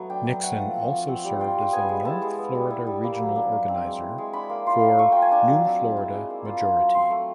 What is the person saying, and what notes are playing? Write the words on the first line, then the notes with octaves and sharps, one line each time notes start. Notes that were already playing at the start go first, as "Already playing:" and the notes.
Nixon also served as the North Florida regional organizer for New Florida Majority.
Already playing: F#3 A3 B3
D4 G5
F#3
A3 F#5
F3
C4
F3
C4 F#5
G3
F4 G5
G3
B3 G#5
G#3
E4 A5
G#3
B3
G3
E4
G3
A#3
F#3
D4
F#3
C4
G#3
E4
G#3
D4 B5
A#3
F4 C6
A#3
A3 C#6
F4 G5
G#5
D4 A5
F#3
C4 A5
G#3
E4
G#3
A#3
F4
C#4
F#3
C4 C6
A3